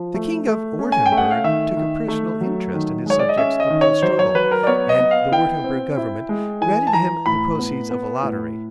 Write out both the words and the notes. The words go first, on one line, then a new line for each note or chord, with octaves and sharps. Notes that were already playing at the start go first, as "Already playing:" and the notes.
The King of Wurtemberg took a personal interest in his subject's uphill struggle, and the Wurtemberg Government granted him the proceeds of a lottery.
Already playing: F3
A3
A3
C#4
G#5
G5
A3
F#5
F5
D#3 E5
D#3
A3
F#3
D#3
G#3 C#5
D5
D#5
C#4 E5
D#5
D#3
C#5
F#3 C5
C#5
F#3 B4
A#4
D5
B3 C#5
D#5
B3
F5
E4 G5
C4
E4
G#3
E3 G#5
A5
E3 A#5
A2 B5
B3
B3
A2